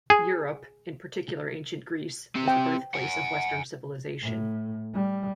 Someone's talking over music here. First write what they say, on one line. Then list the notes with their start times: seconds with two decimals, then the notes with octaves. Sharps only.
Europe, in particular ancient Greece, was the birthplace of Western civilization.
0.10 G#4
2.36 C4 G4
2.48 G5
2.94 F#5 G#5
4.22 A2
4.94 G3